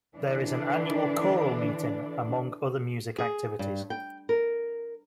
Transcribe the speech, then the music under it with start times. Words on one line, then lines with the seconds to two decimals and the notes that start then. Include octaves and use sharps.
There is an annual choral meeting, among other music activities.
0.17 D3 E3 D4
3.18 G#4
3.59 G2
3.90 G5
4.29 A#4